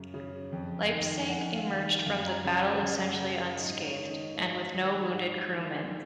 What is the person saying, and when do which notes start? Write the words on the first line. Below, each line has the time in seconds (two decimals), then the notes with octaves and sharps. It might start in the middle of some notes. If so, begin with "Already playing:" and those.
"Leipzig" emerged from the battle essentially unscathed, and with no wounded crewmen.
Already playing: F#2 C#3
0.14 C#3
0.52 F2
0.91 D#3
1.19 G#5
1.29 F2 F#5
1.55 F5
1.68 D#3
2.06 F#2 F5
2.26 A#5
2.40 A#5
2.45 C#3 B5
2.64 G#5
2.83 F#2 F#5
3.09 F#5
3.21 C#3
3.34 F5
3.59 G#2 D#5
3.84 C#5
3.98 D#3
4.10 D#5
4.36 G#2 F5
4.75 D#3
5.13 G#2
5.52 D#3